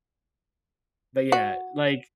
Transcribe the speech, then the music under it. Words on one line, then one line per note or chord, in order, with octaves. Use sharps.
But yeah, like
F#4